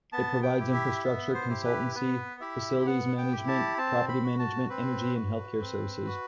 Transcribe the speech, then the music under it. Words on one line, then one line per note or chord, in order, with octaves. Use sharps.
It provides infrastructure consultancy, facilities management, property management, energy and healthcare services.
B3 A5
G5
E4 G4
E5
B3 E5
C5
E4 G4
B4
B3 B4
E4 G4 E5
B3 F#5
G5
E4 G4
A5
C4 A5
B5
F#4
A5
C4 B4
F#4
C4
F#4